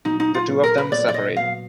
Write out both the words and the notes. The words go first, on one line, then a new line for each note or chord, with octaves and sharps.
The two of them separate.
A#2 F#3 B3 D#4
D#4
F4
A#2 F#3 B3
A#4
B4
A#2 F#3 B3 D5
D5
D#5
A#2 F#3 B3 F5